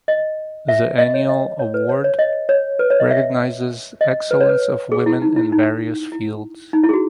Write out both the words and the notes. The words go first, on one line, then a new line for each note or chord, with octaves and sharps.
The annual award recognizes excellence of women in various fields.
D#5
E5
D#5
C#5
D#5
C#5
B4
C#5
C#5
D#5
C#5
B4
C#5
D#5
E5
D#5
B4
C#5
B4
G#4
E4
D#4
E4
D#4
E4
D#4
E4
G#4
F#4